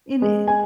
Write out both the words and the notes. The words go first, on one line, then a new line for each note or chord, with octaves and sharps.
In, eh
G#3
G#5